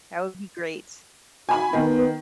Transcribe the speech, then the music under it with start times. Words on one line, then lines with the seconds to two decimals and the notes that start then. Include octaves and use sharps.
That would be great.
1.49 F#4 G#5 B5
1.73 D#3 B3